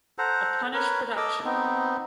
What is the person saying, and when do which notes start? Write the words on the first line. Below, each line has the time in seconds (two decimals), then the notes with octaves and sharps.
A Punish Production.
0.18 A4 C5 F#5 A#5
0.73 A#4 B4 C#5
1.17 A4 D#5 D6 E6
1.45 B3 C4 D#4